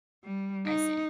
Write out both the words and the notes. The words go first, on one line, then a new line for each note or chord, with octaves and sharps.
I see.
G3
D#4